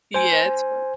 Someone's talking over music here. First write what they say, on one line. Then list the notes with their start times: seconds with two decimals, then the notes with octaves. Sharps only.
Yeah, it's fun.
0.14 C5 G#5